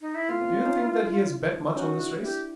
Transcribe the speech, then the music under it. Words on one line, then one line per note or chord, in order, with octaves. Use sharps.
"Do you think that he has bet much on this race?"
D#4
E4
A3 B3 F4
A#3 C4
B3 C#4
C#4 D#4
D4 E4
C#4 D#4 F#4
D4 E4
D4 E4 G4